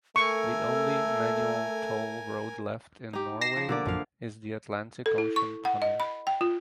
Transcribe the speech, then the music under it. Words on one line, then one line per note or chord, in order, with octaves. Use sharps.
The only manual toll road left in Norway is the Atlantic Ocean Tunnel.
A3 A4 A#4 G#5 C#6
D#4 G4
A#6 C7 E7
F3
B2 D3 A#3 D5
A#1 F#2 F3 F5
A4
E4
C#6
F#5
D#5
B5
G5
F4